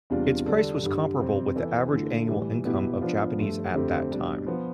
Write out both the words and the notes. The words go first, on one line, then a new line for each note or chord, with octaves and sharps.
Its price was comparable with the average annual income of Japanese at that time.
E2 C3 G3 D4 F4
D3 G3 D4 A4
G2 D3 G3
F2 C3 G3 C4
E3 B3 E4 A4
D3 A3 E4
A2 E3 G3
B2 B3 E4 G4
F3 B3 D4 F4
G2 F3 A3
F2 D3 A3 C4 G4
B2 G3 D4
F3 B3 F4